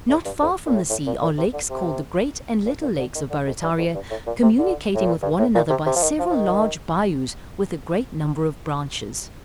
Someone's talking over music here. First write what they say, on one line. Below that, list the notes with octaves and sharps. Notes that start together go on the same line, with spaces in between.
Not far from the sea are lakes called the great and little lakes of Barrataria, communicating with one another by several large bayous with a great number of branches.
A2
G2
F2
A#2
A2
A2
A#2
A#2
C3
D3
C3
A#2
A#2
D3
D#3
D3
F2
G2
F2
G2
A2
A#2
C3
D3
A2
A#2
G2
A2
A#2
C3
C3
F3
D#3
F3
F3
D#3